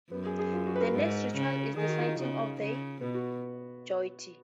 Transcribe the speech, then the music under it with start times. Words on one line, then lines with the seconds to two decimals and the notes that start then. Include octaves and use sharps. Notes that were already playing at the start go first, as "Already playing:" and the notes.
The next ritual is the sighting of the jyoti.
0.11 F#2 B3
0.25 G#4
0.39 G#4
0.53 F4
0.67 F#4
0.76 B4
0.81 A#4
0.94 G#2
1.36 C#3
1.76 D#3 G#4
1.88 F#4
1.98 F4
2.08 D#4
2.18 C#3 D#4
2.60 C#3
3.01 B2 B3
3.14 F#4